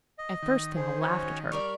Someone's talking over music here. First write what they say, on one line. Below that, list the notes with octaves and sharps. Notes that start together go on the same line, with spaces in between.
At first they all laughed at her.
D#5
D#3
G#4 C5
C#4 F#4 C#5
G3 A#4 D5 C#6 F6